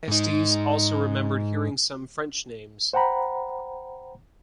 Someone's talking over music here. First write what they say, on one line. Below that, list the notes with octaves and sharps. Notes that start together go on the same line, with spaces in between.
Estes also remembered hearing some French names.
G#2 D#4
C5 F#5 G5 A#5 B5